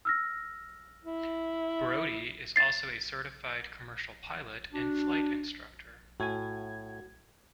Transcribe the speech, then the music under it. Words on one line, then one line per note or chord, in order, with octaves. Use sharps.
Brody is also a certified commercial pilot and flight instructor.
E6 F6 A#6
E4
A6 C7
D4 F#4
A2 F#4 G#5 G#6